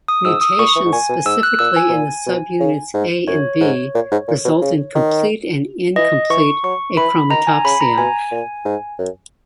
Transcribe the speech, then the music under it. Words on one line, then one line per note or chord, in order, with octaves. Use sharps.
Mutations specifically in the subunits A and B result in complete and incomplete achromatopsia.
D#6
G#2 E6
D#6
A#2 C#6
E3
G#2
A#2 G#5
B2
G#2 E6
F#6
A#2 E6
G#5
B2
A#2
B2
C#3
G#2
F#2 C#5
G#2
A#2
G#2
A#2
B2
C#3
D#3
E3 D#5
E3 C#6
F#3 C#6
E3 B5
D#3 A#5
G#5
C#3 B5
A#5
B2 G#5
A#2
G#2
F#2